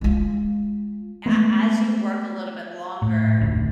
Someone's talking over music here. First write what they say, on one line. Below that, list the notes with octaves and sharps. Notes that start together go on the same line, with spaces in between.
a as you work a little bit longer,
G#3 F4
G#3 A3 B3
A2
F1 D2